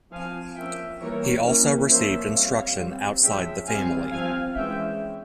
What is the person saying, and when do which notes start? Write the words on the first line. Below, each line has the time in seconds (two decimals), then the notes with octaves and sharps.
He also received instruction outside the family.
0.12 F3 C4 F5 G#5
0.56 F3 A#3 C#4 E5 G5
1.00 E3 G3 A#3 A#4 C#5
1.45 E3 A#3 C#4
1.89 F3 A#3 C#4 C5 E5
2.34 G3 C4 C#5 F5
2.78 G3 C4
3.22 F3 G#3 C#4 E5 G5
3.67 G3 C4 F5 G#5
4.11 F3 C4 F5 G#5
4.55 E3 G#3 C#4 E5 G5